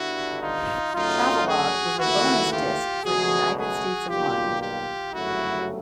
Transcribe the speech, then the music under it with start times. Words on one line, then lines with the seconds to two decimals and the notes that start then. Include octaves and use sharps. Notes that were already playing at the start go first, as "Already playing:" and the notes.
"Travelogue" was a bonus disc for "United States of Mind".
Already playing: G1 G2 D3 E4 F#4
0.43 D#4 F4
0.95 F#2 C#3 F#3 A3 D#4 F4
1.47 F#4 G#4
1.99 D#2 C#3 E3 A3 E4 F#4
2.51 F4 G4
3.04 C#2 B2 F#3 A3 F#4 G#4
3.57 F#4 G#4
4.08 B1 B2 G3 A#3 F4 G4
4.61 F4 G4
5.13 G1 F#2 C#3 F#3 A3 E4 F#4